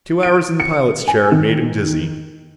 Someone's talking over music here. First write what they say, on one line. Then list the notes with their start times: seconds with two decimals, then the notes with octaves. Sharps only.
Two hours in the pilot's chair had made him dizzy.
0.23 D7
0.60 C#7
1.08 G#5
1.32 D#3